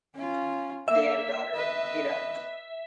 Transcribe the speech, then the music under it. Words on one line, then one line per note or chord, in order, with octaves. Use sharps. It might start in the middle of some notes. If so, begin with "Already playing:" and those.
They had a daughter: Itta.
C#4 F4
A#3 E5
B4 D#5